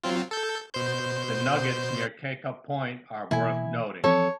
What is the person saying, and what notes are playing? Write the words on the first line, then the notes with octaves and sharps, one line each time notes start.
The Nuggets near Kaka Point are worth noting.
F#3 C4 F4
A4 G6
B2 C5 G6
B2 E3 A#3 E4 G#5
E3 F3 C4 A4 C#5